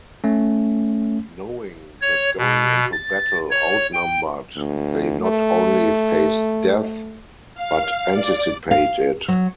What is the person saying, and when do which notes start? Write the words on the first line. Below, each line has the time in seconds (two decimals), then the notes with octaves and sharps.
Knowing that going into battle outnumbered they not only face death but anticipate it.
0.24 A3 C#4
2.01 C#5
2.38 B2
2.92 A6
3.50 C#5
3.93 G5
4.56 D2
5.21 A3
7.55 F5
8.09 D5
8.71 F5
9.28 F#3